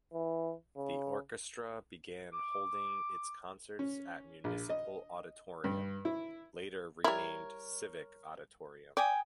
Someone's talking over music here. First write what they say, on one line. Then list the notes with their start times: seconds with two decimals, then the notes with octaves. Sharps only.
The orchestra began holding its concerts at Municipal Auditorium, later renamed Civic Auditorium.
0.13 E3
0.77 C#3
2.33 D6
3.79 C#4
4.44 A#1
4.70 D#5
5.64 G2
6.05 E4
7.04 G3 E4 A#4 C#5
8.97 D5 G5 G#5 D#6